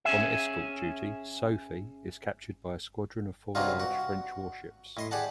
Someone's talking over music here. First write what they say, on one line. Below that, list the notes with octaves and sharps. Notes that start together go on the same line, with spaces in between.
On escort duty, "Sophie" is captured by a squadron of four large French warships.
C#4 G#4 E5
G2 C3 F#3 D4 D#4 F4
F#4
A2 D#5 C6
G4 G#4 D5 F#5 A5